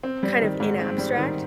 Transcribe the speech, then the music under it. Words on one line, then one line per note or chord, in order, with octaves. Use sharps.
kind of in abstract.
C4
G3
D#3
G#2
C4
G3
D#3